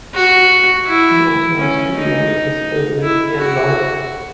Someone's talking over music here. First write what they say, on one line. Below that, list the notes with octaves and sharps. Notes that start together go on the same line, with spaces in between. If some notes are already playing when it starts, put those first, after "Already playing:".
She also has two younger sisters, Lynsey and Lauren.
F#4
E4
C#4
D#4
E4
F#4